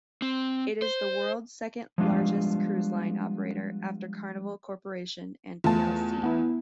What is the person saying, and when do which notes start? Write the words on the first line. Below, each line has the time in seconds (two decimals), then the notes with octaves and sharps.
It is the world's second-largest cruise line operator, after Carnival Corporation and plc.
0.22 C4
0.82 C5
1.98 F3 G3 G#3 B3 D4 F4
5.64 E2 A3 F4 A5
6.23 B3 E4